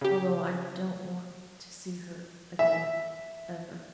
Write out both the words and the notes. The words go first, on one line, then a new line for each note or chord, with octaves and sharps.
Although I don't want to see her again ever--.
C#3 G4
E5